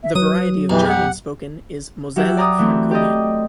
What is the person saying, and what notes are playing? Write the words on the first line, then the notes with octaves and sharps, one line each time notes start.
The variety of German spoken is Moselle Franconian.
E5
F#3 B4 D#6
B1 F2 E3 G4
F#5
F#3 G4 E5 F#5
D5 A#5 D6 D#6
E3 A3 C4
G4 D5 D#5